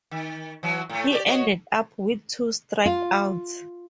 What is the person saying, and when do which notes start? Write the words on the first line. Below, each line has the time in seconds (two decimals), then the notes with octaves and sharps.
He ended up with two strikeouts.
0.11 D#3
0.63 E3 F#3
0.89 A2 A3
1.10 G4 G#4 D5
1.27 F#4 C#5 D#5
2.86 F4